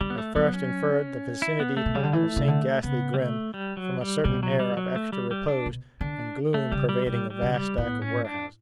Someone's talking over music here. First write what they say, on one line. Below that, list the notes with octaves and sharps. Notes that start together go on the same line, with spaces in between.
I first inferred the vicinity of Saint Ghastly Grim, from a certain air of extra repose and gloom pervading a vast stack of warehouses.
D3 G3
B3
A3
F#3 B3
C#4
E4
B3
A3
B2
C#3 G3
D3
E3 A3
C#3
D3
C#3 B3
G3
A3
G3
F#3
G3
B2 G3
F#3
G3
F#3
A3
G3
G3
D4
B2
D3 D4
A3
C#3 G3
G3
B2 G3
G3
C#3
G3
A2 B3
C#4
D4